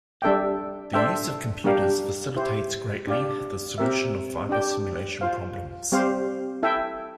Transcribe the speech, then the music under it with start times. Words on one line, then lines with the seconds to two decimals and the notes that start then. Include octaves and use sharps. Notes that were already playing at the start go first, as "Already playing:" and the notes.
The use of computers facilitates greatly the solution of fiber simulation problems.
0.22 G3 D4 A4 E5 G5
0.94 D4 A4 C5 E5 G5
1.64 G3 D4 G4 A#4 F5
2.36 E4 G4 C5
3.07 D4 G4 D5 F5
3.78 C4 G4 A#4 E5
4.49 D4 G4 D5 G5
5.21 F4 C5 F5
5.92 G3 C4 G4 C5 F5
6.63 E4 A4 E5 G5